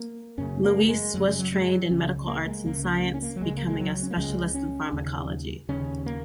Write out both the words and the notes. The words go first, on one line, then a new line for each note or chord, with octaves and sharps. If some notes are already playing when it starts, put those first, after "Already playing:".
Louis was trained in medical arts and science, becoming a specialist in pharmacology.
Already playing: A#3
F#2 C#3 C#4
A#3
G#3
F#2 C#3 F#3
G#3
F#3
F#3
G#3
F#3
C#2 C#3 C#4
A#3
G#3
C#2 C#3 A#3
A#3
C#4
C#4
A#3
F#3
C#2 C#3 G#3
A#3
G#3
F#3
C#4
A#3
C#2 C#3 G#3
C#4
D#2 C#3
D#2 C#3 C#4
A#3